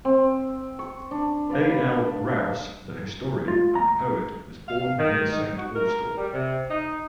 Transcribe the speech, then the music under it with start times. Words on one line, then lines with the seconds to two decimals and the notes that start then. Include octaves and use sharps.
A. L. Rowse, the historian and poet, was born near Saint Austell.
0.05 C4
0.79 C#6
1.11 D4
1.49 B4 D5 F5
1.69 B5
3.48 F4
3.75 A#5
4.68 F5
4.98 D#3
5.32 D#4
5.57 F#4
5.74 A#4
6.17 G3
6.33 C3
6.69 D#4